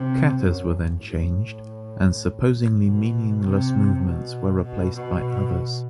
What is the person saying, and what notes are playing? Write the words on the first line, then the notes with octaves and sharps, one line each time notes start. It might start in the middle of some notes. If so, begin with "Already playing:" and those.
Kata’s were then changed, and supposedly “meaningless” movements replaced by others.
Already playing: C3
F#2
G2
A2
B2
C3
B2
B2
B2